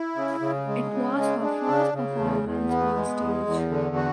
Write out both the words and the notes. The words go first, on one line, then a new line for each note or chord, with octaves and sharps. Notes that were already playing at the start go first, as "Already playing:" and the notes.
It was her first performance on stage.
Already playing: E4
C#3
C#3
G#3
C#3
G#3
D4
C#3
C#3
E2
E2
B3
G#3
E2
E2
D3
F#4